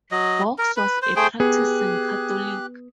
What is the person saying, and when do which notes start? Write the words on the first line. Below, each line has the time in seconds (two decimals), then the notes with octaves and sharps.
Boggs was a practicing Catholic.
0.12 F#3 D#5
0.58 A#4
0.77 B4
1.02 C5
1.16 A3 G#4 C5 G5
1.40 B3 G4 G#4 F#6